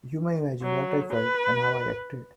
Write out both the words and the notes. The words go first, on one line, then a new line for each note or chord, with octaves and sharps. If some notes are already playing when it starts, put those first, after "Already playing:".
You may imagine what I felt and how I acted.
F#3
B4